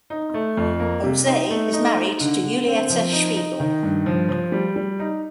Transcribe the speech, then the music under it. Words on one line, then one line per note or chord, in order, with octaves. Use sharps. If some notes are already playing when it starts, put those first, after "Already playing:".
Jose is married to Julieta Spiegel.
D#4
A3
F2
A#3
C3
D#4
A3
D#4
D#4
D3
D3
C4
F3
D#4
D#4
D#3
G2
F3
F3
G3
G3
D#4